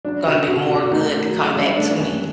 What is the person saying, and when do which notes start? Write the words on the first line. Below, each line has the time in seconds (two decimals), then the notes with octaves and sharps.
gonna be more good that come back to me.
0.05 F#3 D4
0.26 C3 F#4
0.48 C3 F#4
0.69 C3 F#4
0.83 F#4
0.91 A3 D#4
1.13 A3
1.34 F#3
1.56 G2
1.77 A3 D4
1.98 F#2